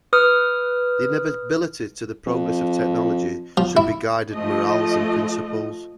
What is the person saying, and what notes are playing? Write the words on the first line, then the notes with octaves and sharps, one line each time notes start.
The inevitability to the progress of technology should be guided morals and principles.
B4 D#6 F6
F2
F3
E4
F3 A3 D#5